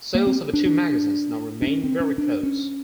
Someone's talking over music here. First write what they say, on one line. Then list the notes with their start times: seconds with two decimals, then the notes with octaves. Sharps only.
Sales of the two magazines now remain very close.
0.15 A#3
0.27 C4
0.54 D4
0.66 D4
1.62 D4
1.67 C#4
1.84 C4
2.00 C#4
2.18 D4
2.43 C#4